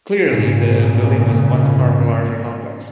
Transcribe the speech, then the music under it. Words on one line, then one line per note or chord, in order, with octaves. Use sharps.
Clearly, the building was once part of a larger complex.
G#1 A#2 C#3